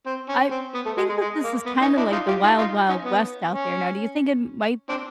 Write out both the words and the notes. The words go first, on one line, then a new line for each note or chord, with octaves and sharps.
I think that this is kinda like the wild wild west out there, now do you think it m might
C4
C#4
C4
B3
A3
G#3
G#3
G#3
A#3
B3
C#4 D#4
D4 E4
D#4 F4
F4 G4
D#4 F4
D#4 F4
C#4 D#4
B3
C#4
C4 D4